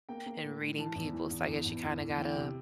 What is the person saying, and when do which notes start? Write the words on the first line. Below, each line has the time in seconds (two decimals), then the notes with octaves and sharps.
in reading people so, I guess you kinda gotta
0.09 A#3 G5
0.26 A#3
0.44 A2
0.61 A2
0.78 E3 A5
0.95 E2
1.13 E3
1.31 E2
1.48 E2
1.65 E2
1.83 E2
2.00 E2
2.18 E3 G5
2.36 C3